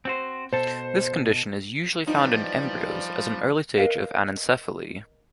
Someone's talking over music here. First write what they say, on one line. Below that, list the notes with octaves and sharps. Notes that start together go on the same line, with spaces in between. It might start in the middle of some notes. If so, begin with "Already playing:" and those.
This condition is usually found in embryos as an early stage of anencephaly.
C4 F#4 C5
B2 A4 C5
E3 F3 G3 D#4 D5
A#4 B4 D#5 F5